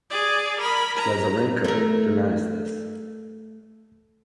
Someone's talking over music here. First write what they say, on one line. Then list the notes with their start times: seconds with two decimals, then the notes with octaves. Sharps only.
Lazarenko denies this.
0.11 G#4 D5
0.59 A#4 B5
0.97 A#5
1.64 A3 A#4